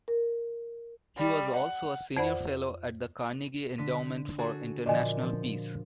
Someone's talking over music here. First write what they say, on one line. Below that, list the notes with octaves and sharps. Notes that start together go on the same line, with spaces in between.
He was also a Senior Fellow at the Carnegie Endowment for International Peace.
A#4
G3
F#5
F2 C5 D5 F#5 B5
D3 B6 D#7
F#4 G#4 A4
A#2 D3 F3 D5 D#5 G#5
F3